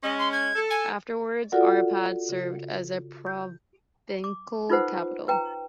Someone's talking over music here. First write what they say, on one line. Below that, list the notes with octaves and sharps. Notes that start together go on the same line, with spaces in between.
Afterward Arpad served as a provincial capital.
G#3 C#4 D#5
C6
G#6
A4
G#5
F4 F#4 A4 A#4 D5 F#5
C#3
G6
D6
D#4 F4 A4 B4 C5 F#5
B4 G5 A#5